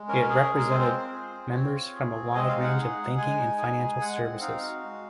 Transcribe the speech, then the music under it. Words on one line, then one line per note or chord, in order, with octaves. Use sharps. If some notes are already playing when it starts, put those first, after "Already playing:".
It represented members from a wide range of banking and financial services.
Already playing: G#3
C#4 A#4
G#4
A#4
G#3
A#4
C4 C5
F4
G#4
C4
C4 C#5
F4
G#4
C4
G#3 D#5
F5
D#4
F#5
G#4
G#3
G#3 G#5
D#4
G#4
G#3
G#3 F#5
C4
D#4 F5
F#4
G#3